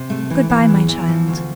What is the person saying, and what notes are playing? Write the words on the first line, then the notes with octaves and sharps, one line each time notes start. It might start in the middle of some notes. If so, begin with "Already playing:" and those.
"Good-bye, my child."
Already playing: C3
A3
E3
E3
E2
E3
F3
D2